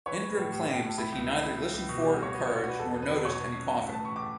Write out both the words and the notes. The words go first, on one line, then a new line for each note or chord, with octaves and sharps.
Ingram claims that he neither "listened for, encouraged, nor noticed any coughing".
E3 C#5
E3
B4
A2
A2 G4
A4
A2
G5
A2 A5
E4 B5
C#2
E4
E4
E4
C#2
B2 C#6
D6
G3
F#5
F#4 C#5
F#4 B4
C#5
D4
C#5
F#4 B4
E2 A4
E2
B4
F#3
B2 C#5
B2
C#4
A2
F#5
A3
A5
E3 C#6
A2 D6